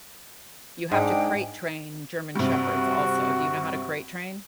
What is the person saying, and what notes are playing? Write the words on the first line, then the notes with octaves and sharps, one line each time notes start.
You have to crate train German shepherds also. Do you know how to crate train?
G#2 D4 D#4 G#4 G5
G2 C3 F#4